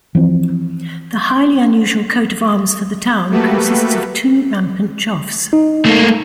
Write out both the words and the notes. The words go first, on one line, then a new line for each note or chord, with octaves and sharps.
The highly unusual coat of arms for the town consists of two rampant choughs.
E3 F3 C4
A3 A#3 F#4 G4 A4 B4
D#4
A3 A#3